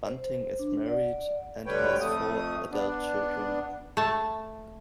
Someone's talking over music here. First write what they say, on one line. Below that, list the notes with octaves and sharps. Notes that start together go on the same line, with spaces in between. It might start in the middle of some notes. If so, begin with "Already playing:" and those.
Bunting is married and has four adult children.
C5
D4
D5 F#5
D2 D3 G3 B4 C#5 G5
F2 A3 D#6
B3 D4
A3 A5